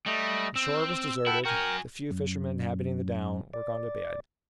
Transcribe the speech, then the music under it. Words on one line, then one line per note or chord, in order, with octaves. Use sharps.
The shore was deserted; the few fishermen inhabiting the down were gone to bed.
G3 A3 D#5
C4 E6
E4 A4 F#5 G5
F#4 A#4 G5 G#5
F#2
D5